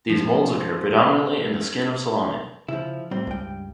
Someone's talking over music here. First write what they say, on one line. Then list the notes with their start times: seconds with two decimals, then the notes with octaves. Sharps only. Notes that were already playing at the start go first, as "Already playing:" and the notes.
These molds occur predominantly in the skin of salami.
0.09 F3
2.68 C#3 F3 E4
3.11 A2 G3 C4
3.27 C#2 G2 G5